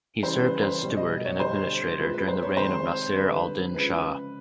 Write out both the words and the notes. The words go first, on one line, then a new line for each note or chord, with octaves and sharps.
He served as steward and administrator during the reign of Nasser al Din Shah.
C#3 E3 G3 C5
B4
C5
B2 G3
D#5
C#5
D3 G3 C5
C3 F3 G#3 B4
B4
C5
C#5
C3 D#3 G#3 C5
D3 G3 B4
C#3 F3 G#3 B4